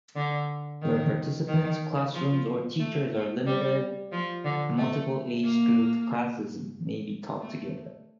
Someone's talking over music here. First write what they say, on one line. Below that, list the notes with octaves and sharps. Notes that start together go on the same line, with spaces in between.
Where participants, classrooms or teachers are limited, multiple age-grouped classes may be taught together.
D3
D#3
D#3
F3
A3
A3
G3
F3
D3
A3
A#3
A3